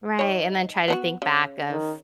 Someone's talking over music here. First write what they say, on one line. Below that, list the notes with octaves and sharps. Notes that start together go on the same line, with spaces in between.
Right, and then try to think back of,
D#3 C#5
B3 D4 F#4
C#3
D#3